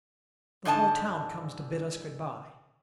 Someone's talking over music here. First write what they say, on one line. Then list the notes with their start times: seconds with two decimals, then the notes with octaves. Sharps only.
The whole town comes to bid us good-by.
0.65 G#2 D3 D#5 G#5 A5